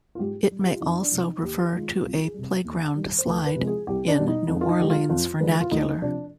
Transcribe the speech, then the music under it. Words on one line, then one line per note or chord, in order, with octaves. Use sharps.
It may also refer to a playground slide in New Orleans vernacular.
F4
G#2 G4
G3
G4
F4
F2 D#4
D4
C3 F3
D#4
D#2 G4
D#3 G#3 F4
C2 F4
G#4
C3 G3
D#2
D#3 G3
C5
D2 B4
B4
C3 F3 G#3
G#4
C2 G4
D4
B2 G3
D#4
F2 D#4
F4
D#4
D3 F3 G#3 G4
F4
F2 F4
D3 F3 G#3 B4
F4
D2 D#4
C3 F3 D4